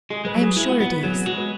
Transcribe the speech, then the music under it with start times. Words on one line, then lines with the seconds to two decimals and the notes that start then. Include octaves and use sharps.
"I am sure it is."
0.10 G#3 G#4
0.25 G#3 B4
0.34 F#3
0.42 G#4
0.57 G#3 E4
0.68 B3 F#4
0.81 B3 B4
0.92 B4
1.03 F#3 G#4
1.15 B3
1.26 G#3 F#4
1.38 B4